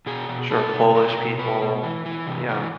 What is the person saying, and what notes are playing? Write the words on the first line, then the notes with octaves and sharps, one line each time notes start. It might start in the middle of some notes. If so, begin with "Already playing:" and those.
Sure. Polish people. Yeah.
B2 G#4
B2
B2 A4
B2
B2 A#4
B2
B2 B4
B2
E3
E3
C3
E3